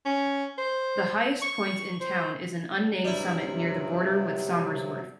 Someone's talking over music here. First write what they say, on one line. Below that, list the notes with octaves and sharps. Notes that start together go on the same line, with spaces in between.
The highest point in town is an unnamed summit near the border with Somersworth.
C#4
C5
C#6
C5
G2 C3 F#3 G3 E4